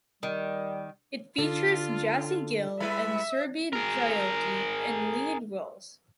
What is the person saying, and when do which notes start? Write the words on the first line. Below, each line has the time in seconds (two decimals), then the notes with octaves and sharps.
It features Jassie Gill and Surbhi Jyoti in lead roles.
0.23 D#3 G3
1.38 D3 F4 A4
2.80 G3 E4 B4 E5
3.73 G#4 A#4